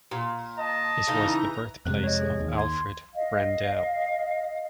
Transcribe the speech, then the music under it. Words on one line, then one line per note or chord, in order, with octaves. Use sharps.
It was the birthplace of Alfred Brendel.
A#2
D#5 A5
C#3 E3 D#4 A#5
F2 C3 G#3 F#6
C#5 D#5
G#4
D#2
C6 G#6
D#5 F5